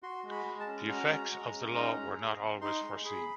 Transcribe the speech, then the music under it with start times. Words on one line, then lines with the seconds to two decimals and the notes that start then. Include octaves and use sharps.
The effects of the law were not always foreseen.
0.03 F#4 C6
0.24 G#3
0.31 B5
0.45 G#3
0.60 A5
0.67 C#4
0.88 F#4 A#5
1.11 G#3
1.32 G#3
1.53 C#4
1.75 D#4
1.96 G#3
2.18 G#4
2.39 C4
2.61 D#4 C6
2.82 G#3
3.04 G#4 B5